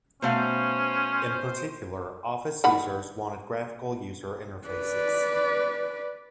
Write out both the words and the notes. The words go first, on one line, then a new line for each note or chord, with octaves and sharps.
In particular, office users wanted graphical user interfaces.
B2 A3 C#4 C5 F5
D#3 F#5 B5
B4 D5